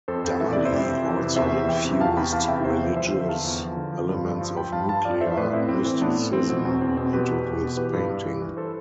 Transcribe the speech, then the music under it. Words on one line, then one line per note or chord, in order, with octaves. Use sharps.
Dali also infused religious elements of Nuclear Mysticism into this painting.
F2 A4 C5
F2
E3 E5
C3 D5
C5 E5
F2
F2
E3
C3
E2 C5 E5
E2
E3 E5 G5
C3
E2 F5 A5
E2 G5 B5
E3 F5 A5
C3 E5 G5
E2 C5 E5
E2
F3 C5 E5
D3
E2 F5 A5
E2
F3
D3
F3
G2
G2
F3
F3 G5 B5
G2 F5 A5
G2 F5 A5
F3 D5 F5
E3 C5 E5
A2 B4 D5
A2 C4 E4
E3 C4
E3 C4
A2 B3 D4
A2
E3 C4
B2 C4
E2 C4
E2 C4
B2 C4
B2 G4 B4
E2
E2
B2
E3 G4 B4
G2
G2
E3
E3
A4 C5